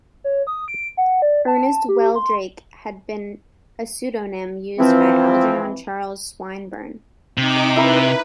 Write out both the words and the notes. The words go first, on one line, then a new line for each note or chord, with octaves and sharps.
"Ernest Wheldrake" had been a pseudonym used by Algernon Charles Swinburne.
C#5
D#6
D7
F#5
D5
A5
G4
C6
E3 F3 C4
C3 D#4 D6
E4 A#4 B4